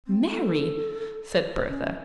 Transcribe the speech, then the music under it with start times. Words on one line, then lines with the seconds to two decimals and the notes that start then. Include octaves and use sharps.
"Mary!" said Bertha.
0.07 C4
0.31 A4
1.68 C#4